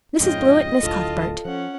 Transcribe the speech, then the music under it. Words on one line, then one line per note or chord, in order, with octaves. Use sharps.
Mrs. Blewett, Miss Cuthbert.
F2 G#2 C#3 F4 D#5 G5
D1 D2 A2 F4 A4 A5
F3 C#4 F#5